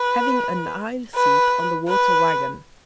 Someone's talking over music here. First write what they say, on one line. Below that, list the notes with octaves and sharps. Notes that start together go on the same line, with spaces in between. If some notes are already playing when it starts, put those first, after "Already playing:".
Having an aisle seat on the water wagon.
Already playing: B4
B4
B4